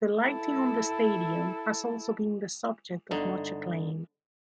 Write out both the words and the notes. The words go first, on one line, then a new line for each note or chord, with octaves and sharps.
The lighting on the stadium has also been the subject of much acclaim.
E4 A4
G1 D3 D#4